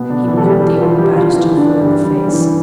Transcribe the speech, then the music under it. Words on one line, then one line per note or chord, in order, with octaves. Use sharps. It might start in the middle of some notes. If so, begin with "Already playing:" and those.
He looked the old barrister full in the face.
Already playing: B2 B3
D3 D4
E3 E4
A4
G3 G4
G3 G4
F3 F4
G3 G4
F3 F4
E3 E4
D3 D4
G2 G3
G2 G3
E3